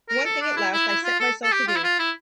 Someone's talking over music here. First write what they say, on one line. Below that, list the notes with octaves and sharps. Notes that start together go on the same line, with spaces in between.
One thing at last I set myself to do.
A#4
A4
D4
E4
E4
E4
F4
A4
A4
G4
F4
E4
F4
E4